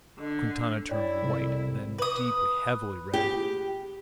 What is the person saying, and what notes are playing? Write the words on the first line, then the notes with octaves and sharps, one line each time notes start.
Quintana turned white, then deeply, heavily red.
D3 D#5
E4 C#5 D5 G5
C2 F2 C3
B4 D#6
G4